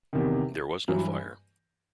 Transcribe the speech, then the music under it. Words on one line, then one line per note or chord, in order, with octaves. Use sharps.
There was no fire.
E2 C3 D#3
G2 E3 F#3